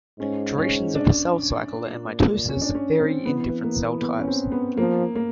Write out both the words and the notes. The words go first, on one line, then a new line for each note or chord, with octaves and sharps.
Durations of the cell cycle and mitosis vary in different cell types.
G#2 C#4
C#4
D4
A#2
C#4
D4
C#4
C4
E3 B3
A#3
B3
C#4
C4
B3
F3 A#3
A#3